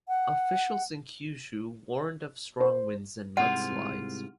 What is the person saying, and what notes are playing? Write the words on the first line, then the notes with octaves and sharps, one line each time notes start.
Officials in Kyushu warned of strong winds and mudslides.
F#5
C5
C2 G#2 F4 F#5